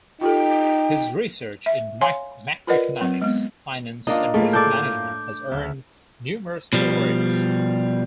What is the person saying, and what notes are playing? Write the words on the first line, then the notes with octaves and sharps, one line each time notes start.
His research in macroeconomics, finance, and risk management has earned numerous awards.
D#4 F4 G4 A4 G5
E5
C#5 F5 G#5 C6
F4 A#4 B4 D5 D#5 F#5
F#3 C4
G#3 B3
A#3 D4 D#4 F4 D#5
A2 A3 A#3 F4 G#4
D4 A4 D5 D6 G6
D2
B2 F3 G3